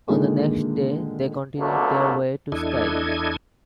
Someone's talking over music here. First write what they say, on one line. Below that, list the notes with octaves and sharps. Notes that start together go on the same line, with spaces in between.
On the next day they continued their way to Skye.
A#2 D3 D#3 G#3 A#3
C#2 B2 D3 F#3 A3 A#3
E2 D4 E4 A4 D#5 G#6